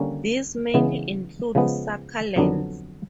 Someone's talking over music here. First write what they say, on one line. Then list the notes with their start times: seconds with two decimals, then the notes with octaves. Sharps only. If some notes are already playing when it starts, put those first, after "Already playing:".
These mainly include succulents.
Already playing: D3 G3 A#3 C#4
0.74 C#3 E3 G#3 B3
1.55 C#3 F3 G#3 B3
2.36 F2 D3 F#3 B3 D4